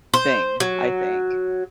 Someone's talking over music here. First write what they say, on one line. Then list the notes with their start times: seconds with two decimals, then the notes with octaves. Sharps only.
thing, I think.
0.14 C5
0.60 F#3